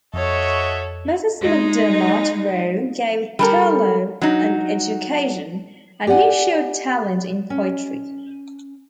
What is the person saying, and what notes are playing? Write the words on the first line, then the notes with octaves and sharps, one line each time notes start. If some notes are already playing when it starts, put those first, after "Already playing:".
Mrs. MacDermott Roe gave Turlough an education, and he showed talent in poetry.
F2 F#4 A4 C#5 D#5 E5
G#3 D#4
G3 A4 A#4
F#3 D#4
G4 D5 F#5 G#5
C#4